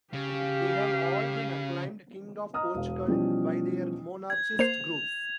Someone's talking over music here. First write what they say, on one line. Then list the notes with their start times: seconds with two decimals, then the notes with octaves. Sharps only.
They have all been acclaimed king of Portugal by their monarchist groups.
0.14 C#3 G4 F5
2.54 D#5 A#5 D#6 F6
2.75 E1 F5
3.07 B2 E3 F3 G3 C#4
4.30 G#6
4.59 A#3 C5 C7 F7